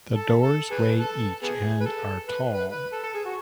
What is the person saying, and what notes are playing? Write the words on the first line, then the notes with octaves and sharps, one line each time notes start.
The doors weigh each and are tall.
A4
A4
G#4 B4
A4
B3 G#4
B4
A4
B4
B4
B4
A4
A4
G#4
F#4